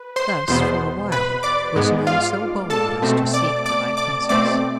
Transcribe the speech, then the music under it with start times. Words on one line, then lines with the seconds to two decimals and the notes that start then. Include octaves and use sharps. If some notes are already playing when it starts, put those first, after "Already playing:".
Thus, for a while, was none so bold as to seek the high Princess.
Already playing: B4
0.16 C5 C6
0.48 E2 B2 B3 C5 C6
1.12 B4 B5
1.43 D5 D6
1.76 G#2 G#3 B3
2.07 F4 F5
2.70 A4 A5
3.02 B2 A3 C4
3.34 D5 D6
3.66 D5 D6
3.97 D5 D6
4.29 B2 A3 C4 D5 D6